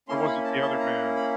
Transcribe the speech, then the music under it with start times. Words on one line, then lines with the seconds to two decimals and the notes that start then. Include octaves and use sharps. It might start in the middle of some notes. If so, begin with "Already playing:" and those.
Or was it the other man?
0.08 A#3 C#4 E4 C6
0.27 B5
0.44 A5
0.62 A5
0.80 A#5
1.16 B5